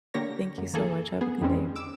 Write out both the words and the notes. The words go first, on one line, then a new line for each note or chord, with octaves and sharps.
Thank you so much, have a good day.
D3 A#3 G4 C#5 A#6
F#2
E3 A#3 G#4 A4
B3 G#4
F2 D#3 G3 G#3 C4 C#4
D6 E6